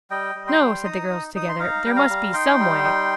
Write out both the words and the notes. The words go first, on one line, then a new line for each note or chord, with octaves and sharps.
'No,' said the girls together, 'there must be SOME way.'
G3 D#5 G5
G3
G5 C6
G3
D#4 A#5 D#6
D#4
D#4 D#6
C6
D#4 F5 A#5
G3 G5
F5 A#5
G3
D#4 G5 C6
G3
D#4